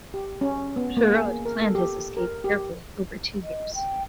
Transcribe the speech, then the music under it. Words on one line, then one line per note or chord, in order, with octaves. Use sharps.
Giraud planned his escape carefully over two years.
G4
C#4
B3
A#3
G#4
A#4
A4
G4
A#4
G4
D#5
G5